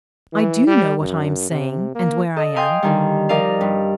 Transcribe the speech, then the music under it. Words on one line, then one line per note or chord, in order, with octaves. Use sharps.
I do know what I am saying and where I am.
E3
G3
F#2
C3
A#3
A4 D#5
F5 G5 G#5 C6 D#6 G6
D3 D#3 G3
F3 G3 A#4 D5 D#5 F5
G2